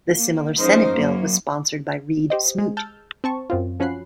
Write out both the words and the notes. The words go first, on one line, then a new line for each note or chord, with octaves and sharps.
The similar Senate bill was sponsored by Reed Smoot.
A#3
F3 G#3 C#4 D#4 A#4 C5
F#2 A#3
G4 C5 D#5
G#3
A5 E6 F6 G6 A6
C4 A5 C#6
F#2 C4 F4
F3 C#4 F#4 B5 F#6 C7